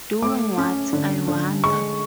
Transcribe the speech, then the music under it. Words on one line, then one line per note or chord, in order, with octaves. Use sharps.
Doing what, I wonder.
A3 D6
C#4
D3
D3
G#3 C#6